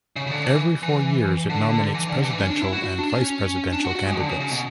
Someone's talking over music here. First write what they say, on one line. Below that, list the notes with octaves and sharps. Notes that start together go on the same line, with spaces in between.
Every four years it nominates presidential and vice presidential candidates.
C#3
C#3
D3
E3
E3
D3
E3
D3
E3
C#4
D4
E4
F#4
F#4
D4
C#4
D4
F#4
F#4
G#3
D3
C#3
C#3
B2